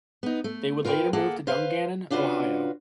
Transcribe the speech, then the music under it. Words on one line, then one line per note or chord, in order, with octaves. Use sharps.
They would later move to Dungannon, Ohio.
B3 D#4
A3
F4 A#4 B4 G5
A#3 G#4 A4 F#5
B4 C5 F5
C#3 D4 F4 F#4 B4